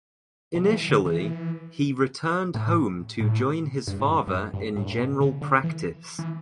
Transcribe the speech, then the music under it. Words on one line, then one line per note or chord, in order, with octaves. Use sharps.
Initially, he returned home to join his father in general practice.
B2
F#3
E3
D3
E3
A2
A2
G2
A2
G2
G2
F#2
G2
A2
G2
A2
B2
C#3
D3
E3
E3